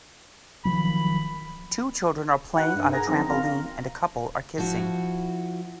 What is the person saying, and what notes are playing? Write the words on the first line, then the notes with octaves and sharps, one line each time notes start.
Two children are playing on a trampoline and a couple are kissing.
D#3 F3 F#3 B5
D#4 F#4 B4 F#5
G2
G#4 A#4 G#5 A#5
F3 F#3 C4 D#4
C4 F#4 A#4 F5 A#5
F3 E4 F#4